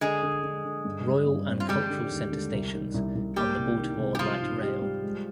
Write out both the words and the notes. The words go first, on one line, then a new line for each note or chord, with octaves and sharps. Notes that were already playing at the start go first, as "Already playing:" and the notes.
Royal and Cultural Center stations on the Baltimore Light Rail.
D3 G#3 G#4
D3
D3
D3
G2
G3
G2
C4
F4
G3 G#3 G4
D3
D#2
D3
C2
D#3
C2
C2
G3 A#3 G4
C3
D#3
C3
G4
F3 G3 F4
G#2
G4
G3
G#3